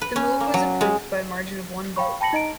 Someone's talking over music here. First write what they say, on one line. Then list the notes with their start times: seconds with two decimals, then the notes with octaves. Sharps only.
The move was approved by a margin of one vote.
0.01 B4
0.16 C#4
0.40 A#3
0.54 F#3
0.81 G#3
1.96 F5 G5 B5 C#6
2.21 G5 A5 B5 A#6 C#7 F#7
2.33 D#4 D#5 A#5 D7